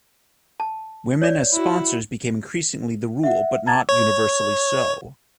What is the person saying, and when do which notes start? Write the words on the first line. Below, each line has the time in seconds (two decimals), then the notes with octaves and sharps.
Women as sponsors became increasingly the rule, but not universally so.
0.60 A5
1.22 C#5 D5
1.52 E4 F#4
3.23 E5 F#5
3.66 A5 A#5 G#6 A6
3.89 C#5